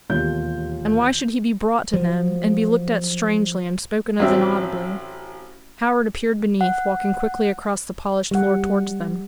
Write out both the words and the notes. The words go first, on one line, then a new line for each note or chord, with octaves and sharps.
And why should he be brought to them, and be looked at strangely and spoken of inaudibly? Howard appeared beneath, walking quickly across the polished floor towards them.
E1 D#2 F4 G4 G6
F3 F#3
A1 F#3 C4 E5
F#5
G3 F#5